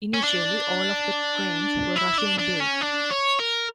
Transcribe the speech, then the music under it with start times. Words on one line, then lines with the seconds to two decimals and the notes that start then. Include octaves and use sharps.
Initially, all of the trains were Russian built.
0.14 C#4
0.24 D4
1.96 E4
2.18 D4
2.39 D4
2.60 C#4
2.82 D4
3.11 C#5
3.40 A#4